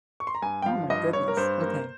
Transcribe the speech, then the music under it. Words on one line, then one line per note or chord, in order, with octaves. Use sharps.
Oh, my goodness, okay.
C#6
C6
A#5
G2 G#5
G5
F3 F5
G2 D#5
G2 C#5
A#4
G2 C5
A#3